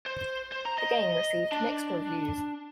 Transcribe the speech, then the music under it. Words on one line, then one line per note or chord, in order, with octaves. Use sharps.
The game received mixed reviews.
C5
C5
A#5
D#5
D4